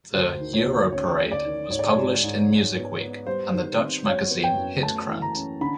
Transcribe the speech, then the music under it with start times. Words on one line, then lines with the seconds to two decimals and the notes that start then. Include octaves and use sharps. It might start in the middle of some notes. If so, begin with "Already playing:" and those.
The "Europarade" was published in "Music Week" and the Dutch magazine "Hitkrant".
0.14 D2 C5
0.40 D#3
0.53 C#5
0.66 D2
0.92 C#4 C#5
1.19 C#4
1.32 D5
1.45 D#3
1.70 G#2 C#5
1.79 D5
1.88 C#5
1.96 G#3
2.23 G#2
2.49 G#3
2.75 B3
3.01 B3
3.26 G3 C5
3.53 D#3
3.79 C4
4.05 F#3 C#5
4.31 B3
4.44 G5
4.57 F#2
4.83 A3 A5
5.09 E3
5.22 A#5
5.35 C#4
5.61 D3 B5